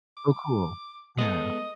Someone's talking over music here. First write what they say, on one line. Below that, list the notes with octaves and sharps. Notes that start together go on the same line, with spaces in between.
Oh, cool, yeah,
D6
G#3 B3 A4 D#5